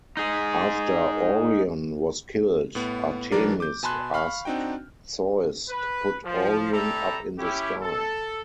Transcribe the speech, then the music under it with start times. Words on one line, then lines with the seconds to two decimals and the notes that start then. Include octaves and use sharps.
After Orion was killed, Artemis asked Zeus to put Orion up in the sky.
0.17 D#4 G#4
2.75 A2 B3
3.32 E3 F#3 D4 A#4 D5
3.60 D6 G6
3.83 B2 G#5 A5 B5 C6 F#6
4.14 F5 B5 C#6 F6
4.45 C4 D4 D#4 F#4 G5
5.68 B4
6.24 F3
6.72 G3 C4 A4 E5 A#5 B5
7.39 C#4 E4 G4
7.82 A4